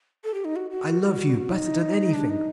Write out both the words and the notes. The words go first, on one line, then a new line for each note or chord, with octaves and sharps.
I love you better than anything.
A4
G4
D#4
F#4
F#4
D#4
D4
D#4